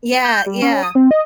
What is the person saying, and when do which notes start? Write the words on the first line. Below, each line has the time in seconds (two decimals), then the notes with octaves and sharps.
Yeah, yeah,
0.24 G6
0.46 G3
0.62 C#4
0.83 D#6
0.95 C4
1.11 D#5